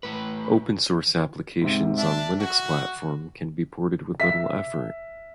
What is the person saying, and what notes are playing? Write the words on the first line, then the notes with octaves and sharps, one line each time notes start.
Open source applications on Linux Platform can be ported with little effort.
A2 B4
G#2 C3
D4 E5
F#4
E5 B6